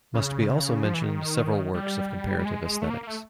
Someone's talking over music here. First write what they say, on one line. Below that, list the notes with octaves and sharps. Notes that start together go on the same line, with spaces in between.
Must be also mentioned several works of comparative aesthetics.
C#3
F3
E3
D#3
G3
G3
G#3
A3
A#3
A#3
A3